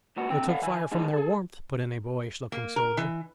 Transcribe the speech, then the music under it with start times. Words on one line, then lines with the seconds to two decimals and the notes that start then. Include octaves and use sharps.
"Or took fire from their warmth," put in a boyish looking soldier.
0.16 C#2 A#2 F#4
0.30 D3 C4 G5
0.48 A4 D5 F5 F#5
0.62 D#3 E5 G#5
0.92 C#3 E3 F3 G#3 D#4 G#4
1.13 G#4 A4
2.52 A#3
2.76 A#4
2.97 E3